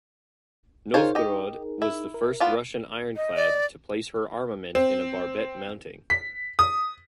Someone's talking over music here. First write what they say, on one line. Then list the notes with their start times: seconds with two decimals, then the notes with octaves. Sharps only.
"Novgorod" was the first Russian ironclad to place her armament in a barbette mounting.
0.94 D#4 F4 G#4 A#4 C5 C#5
1.15 G4 D#5
1.82 E4
2.14 A#4
2.40 B3 D4 F4
3.16 D#5
3.36 D5
4.75 C4
6.10 B6
6.59 D#6